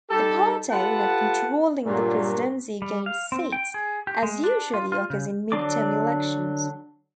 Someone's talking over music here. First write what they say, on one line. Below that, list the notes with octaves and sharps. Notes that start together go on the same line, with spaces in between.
The party not controlling the presidency gained seats, as usually occurs in mid-term elections.
G3 D#4 G4 A4
F4 G4 A4 B4 F#5 A5
G2 A#2 F#3
G3
F5
C4
G5
G#4
G4
G#3
D4
F4
F4
C#3
D3 F#3 D4 D5 D6